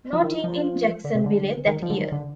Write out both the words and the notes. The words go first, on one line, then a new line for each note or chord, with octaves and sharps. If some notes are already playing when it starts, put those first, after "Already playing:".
No team in Jacksonville that year.
F3
D#3
F3
F3
D3
C3
D3
D#3
F3
D3
D#3
D3